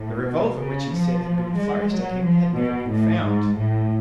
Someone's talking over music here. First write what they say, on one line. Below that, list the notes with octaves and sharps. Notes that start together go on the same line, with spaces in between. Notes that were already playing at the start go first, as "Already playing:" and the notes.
The revolver which he said had been flourished at him had never been found.
Already playing: A2
B2
C#3
F3
G#3
F#3
F3
B2
A2
G#2
A2